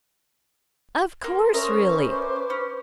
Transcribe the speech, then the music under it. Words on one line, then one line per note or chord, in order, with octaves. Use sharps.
"Of course, really!"
A#3 C6
C#4 A#4 C5 E5 D#6
G4 D#5 B5
B4 C#6 D6
C#4